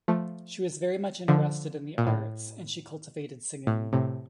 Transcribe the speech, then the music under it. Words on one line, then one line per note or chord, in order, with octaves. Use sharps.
She was very much interested in the arts and she cultivated singing.
F3 A3
D3 F3
A#2
A2
A2
A2 C3